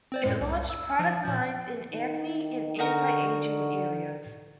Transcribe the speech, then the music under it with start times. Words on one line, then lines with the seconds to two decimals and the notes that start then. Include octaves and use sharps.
It launched product lines in acne and anti-aging areas.
0.12 C4 C5 D5
0.24 F#2 A2 G#3
0.41 C2
0.70 E6
0.99 F3
1.23 A#2 F3 G6
1.92 D#3
2.78 D3 D#4 F#4 A#4